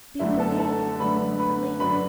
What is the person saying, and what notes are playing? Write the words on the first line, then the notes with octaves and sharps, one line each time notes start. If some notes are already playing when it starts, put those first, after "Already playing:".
'Be brave,' he went on rapidly.
F#2 D3 A3 D4 E4 E5
A4 A5
A4 A5
F#2 D3 A3 D4 B4 B5
B4 B5
F#2 D3 F#3 D4 B4 B5